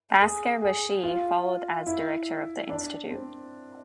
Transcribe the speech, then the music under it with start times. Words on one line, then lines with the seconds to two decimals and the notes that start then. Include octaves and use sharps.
Basker Vashee followed as director of the Institute.
0.21 G#4
0.62 G#4
1.04 F4
1.86 E4
2.69 D4
3.11 C4